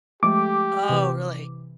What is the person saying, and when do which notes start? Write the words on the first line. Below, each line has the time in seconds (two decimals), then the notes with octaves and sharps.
Oh, really?
0.23 F3 G#3 A3 G4 D6
0.89 C3 E3